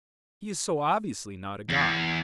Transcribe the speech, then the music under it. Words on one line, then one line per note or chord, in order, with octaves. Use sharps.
He is so obviously not a god.
E2